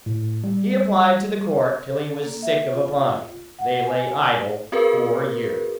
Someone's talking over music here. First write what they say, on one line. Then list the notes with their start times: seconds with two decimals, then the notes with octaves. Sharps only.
He applied to the Court till he was sick of applying: they lay idle four years.
0.06 A2
0.44 G3
1.89 A4
2.24 A#3
2.43 E5
2.73 F4
3.59 F#5
3.87 G#5
4.72 C4 F#4 G#4 A#4 B4